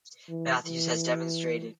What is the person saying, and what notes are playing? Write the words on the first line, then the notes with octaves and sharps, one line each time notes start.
Matthews has demonstrated.
E3
E3